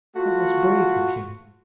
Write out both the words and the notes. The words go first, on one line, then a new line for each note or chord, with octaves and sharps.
"That was brave of you."
A3 F4 F#4